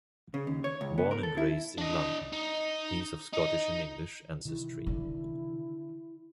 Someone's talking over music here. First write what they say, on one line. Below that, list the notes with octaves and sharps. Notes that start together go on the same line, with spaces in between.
Born and raised in London, he is of Scottish and English ancestry.
C#3
D#2
C#5
C#2
B3
A#4
A4
E4
D4 D#5
D#4
D#4
C3 D#3 E3 E4
D3